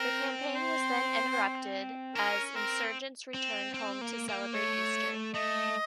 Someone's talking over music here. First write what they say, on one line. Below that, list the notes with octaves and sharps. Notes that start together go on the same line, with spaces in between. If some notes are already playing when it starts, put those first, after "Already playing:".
The campaign was then interrupted, as insurgents returned home to celebrate Easter.
Already playing: C4 A#4
C5
C#4 A#4
C4 A#4
C4
C4
A#3
A#3
A3 C#5
A3 D#5